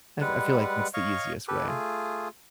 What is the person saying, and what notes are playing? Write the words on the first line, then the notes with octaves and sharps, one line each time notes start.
I f I feel like that's the easiest way.
G3 G#3 B4 F#5
C#5 D#5 F5 C#6
G4 A4 B4
A3 F4 G#4